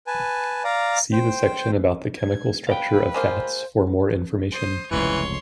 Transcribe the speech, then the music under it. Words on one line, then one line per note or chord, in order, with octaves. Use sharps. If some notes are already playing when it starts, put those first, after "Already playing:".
See the section about the chemical structure of fats for more information.
B4 G#5 A5
D5 F5 A#5
C5 G5
G#6
B4 F5 G5
G#3 A#3 F4 C5
C5 D#6
F1 C#2 G2 E3 C#5 C6